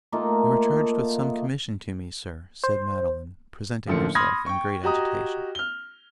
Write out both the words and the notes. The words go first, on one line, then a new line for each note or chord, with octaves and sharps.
'You are charged with some commission to me, sir,' said Madeline, presenting herself in great agitation.
A3 A#3 D#4 F4
C5
A1 D3 F3 A#3 C#7
B5 C6 D#6 F6 G#6 A#6
G5 C#6
F#4 G4 D#5 A#5 D#6
F6 G7